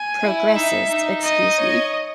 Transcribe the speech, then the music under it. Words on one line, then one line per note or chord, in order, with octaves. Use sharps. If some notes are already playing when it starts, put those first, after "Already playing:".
progresses, excuse me.
Already playing: G#5
E4
D#4 E5
D#4
D#5
C#5